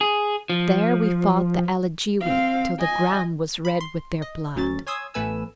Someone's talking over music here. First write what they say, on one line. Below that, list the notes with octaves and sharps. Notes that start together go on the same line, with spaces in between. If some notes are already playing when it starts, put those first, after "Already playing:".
There we fought the Alligewi, till the ground was red with their blood.
G#4
F3
C4 F5
D#5 G#5
B5
C6
D#5
D2 F#3 C#4 A6
C#5 G#5 C6 D#6 E6 G#6
A1 A3 B3 B4 G#5 E6